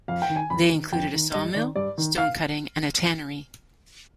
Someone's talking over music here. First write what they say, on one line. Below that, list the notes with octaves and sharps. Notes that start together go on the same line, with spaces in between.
They included a saw mill, stone-cutting and a tannery.
F2 F5
G5
D#3
G#5
F2 B5
D#3
F2 G5
D#3
G2 D#5
D#3 D5
G2 D5
D#3
F5